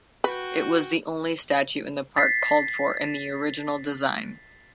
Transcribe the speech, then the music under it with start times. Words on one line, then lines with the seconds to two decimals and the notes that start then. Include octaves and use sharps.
It was the only statue in the park called for in the original design.
0.24 F#4 B4 G5
2.17 A6 B6 C7